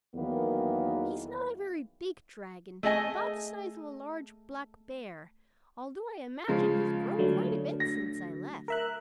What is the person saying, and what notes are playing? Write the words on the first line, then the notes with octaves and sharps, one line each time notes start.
He's not a very big dragon, about the size of a large black bear, although I imagine he's grown quite a bit since I left.
E2 D#3 E3 F#3 A#3 B3
A3 G#4 D#5 G#5
C#3 F3 G#3
D3 F#3 A3
A#6
A#4 E5 F#6